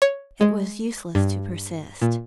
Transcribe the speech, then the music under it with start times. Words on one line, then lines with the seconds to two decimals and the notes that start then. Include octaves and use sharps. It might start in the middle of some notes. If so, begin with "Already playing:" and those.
It was useless to persist.
0.02 C#5
0.41 G#3
1.15 G2
2.02 A#2